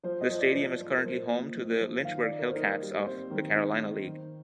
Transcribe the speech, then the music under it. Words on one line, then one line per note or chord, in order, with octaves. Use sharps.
The stadium is currently home to the Lynchburg Hillcats of the Carolina League.
F3 C5
D#5
F3 C5
D5
F3
F3
A#4
F3 C5
A#3
F3
F3
D#3 F5
D5
D#4
A#4
C5
D#4 A#4
G3
C4 C5
D#3
D#4
D#4
D#3